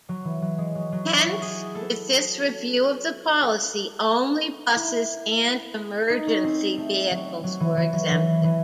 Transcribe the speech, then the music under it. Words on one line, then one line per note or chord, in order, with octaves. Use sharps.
Hence, with this review of the policy, only buses and emergency vehicles were exempted.
F#3
E3
F#3
G#3
F#3
F#3
E4
F#4
G#4
A4
A4
E4
D#4
C#4
C4
A3
F#3
F#3
E3
E3
F#3
E3
E3